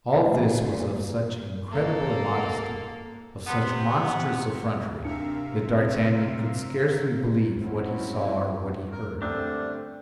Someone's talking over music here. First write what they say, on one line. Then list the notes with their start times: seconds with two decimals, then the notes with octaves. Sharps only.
All this was of such incredible immodesty, of such monstrous effrontery, that d'Artagnan could scarcely believe what he saw or what he heard.
0.21 D2 A#2
1.71 A#3 A4
3.47 C3 B3
5.05 C3 D4 D#4 A#4 E5 F5 C#7
7.59 D#2 A2 F#3 C4 C#4 E4
8.92 A#4
9.22 D3 G3 A3 C4 D4